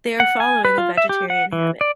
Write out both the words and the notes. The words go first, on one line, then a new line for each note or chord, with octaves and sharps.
They are following a vegetarian habit.
F#5
G#5
B4
F4
E5
G4
F#5
E3
D5